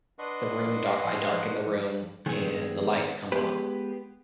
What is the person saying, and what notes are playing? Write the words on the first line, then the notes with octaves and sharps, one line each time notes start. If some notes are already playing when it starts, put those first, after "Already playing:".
the room dark I darken the room and the lights come on.
D4 B4 D#5 F#5 C6 C#6
D#3 G#3 B3 C4 G#4
G#3 B3 G4 B4